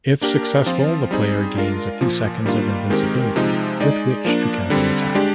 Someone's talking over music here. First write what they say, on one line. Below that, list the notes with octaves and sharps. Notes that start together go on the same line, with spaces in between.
If successful, the player gains a few seconds of invincibility with which to counter-attack.
A#3 D4 G4 A#4
F3 C4 F4
G3 C4 D#4 G#4 C5
G#3 D4 F4 A#4
A#2 F3 A#3
D#3 G3 A#3 D4 F4
D#3 G#3 C4 G4 A#4
C3 F3 G#3 D#4
G#3 D#4 G#4 D5
F3 A#3 D4
D3 G3 C4
G#3 D4 G4